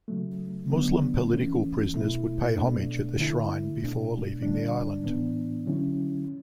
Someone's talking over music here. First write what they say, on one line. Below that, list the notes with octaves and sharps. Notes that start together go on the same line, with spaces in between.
Muslim political prisoners would pay homage at the shrine before leaving the island.
C#3 F#3 A3
D3 F#3 B3 D4
E3 A3 C#4
B2 A3 E4
B2 A3 D4
D3 A3 E4
B2 A3 D4
D3 G3 D4
A2 E3 B3 D4
D3 F#3 C#4 E4